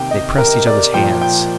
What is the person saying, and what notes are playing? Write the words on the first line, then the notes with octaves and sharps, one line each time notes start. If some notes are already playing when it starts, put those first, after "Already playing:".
They pressed each other's hands.
Already playing: C3 D#3 A#3 G5
D#5
A#4
D5
A#2 F3 A#3 G5
G5